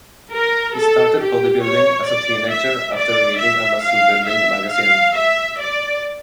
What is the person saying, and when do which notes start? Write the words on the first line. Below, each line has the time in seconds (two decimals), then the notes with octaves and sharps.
He started bodybuilding as a teenager after reading a muscle building magazine.
0.31 A#4
0.75 A4
1.20 G4
1.63 C#5
2.07 D5
2.51 E5
2.96 D5
3.39 E5
3.84 F5
4.27 E5
4.72 F5
5.15 E5
5.60 D5